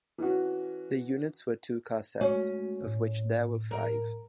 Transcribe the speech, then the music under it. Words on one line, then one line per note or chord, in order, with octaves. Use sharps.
The units were two-car sets, of which there were five.
E3 C#4 F#4
G#3 A3 C#4 F#4
A2
A#4